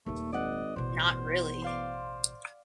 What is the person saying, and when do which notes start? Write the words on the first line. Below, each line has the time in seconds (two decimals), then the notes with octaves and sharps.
Not really.
0.06 D#1 D#2 A3 A#3
0.32 G#1 D5 D#5 F#5
0.76 A1 E2 B2 C5
1.62 D5 F5 C6